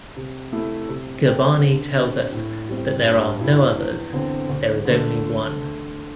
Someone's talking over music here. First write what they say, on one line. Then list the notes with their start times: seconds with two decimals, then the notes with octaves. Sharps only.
Gurbani tells us that there are "no others", "there is only One".
0.17 C3
0.53 A3 E4
0.89 C3
1.24 A3 C4 G4
1.61 D3
1.96 C4 G4
2.32 A2
2.69 G3 C4
3.05 G2
3.41 G3 E4
3.78 E2
4.13 D3 C4
4.49 D2
4.85 D3 A3